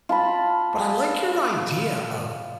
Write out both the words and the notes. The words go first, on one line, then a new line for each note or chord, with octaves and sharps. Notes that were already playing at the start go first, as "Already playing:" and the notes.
But I like your idea of
F4 A5 B5
F4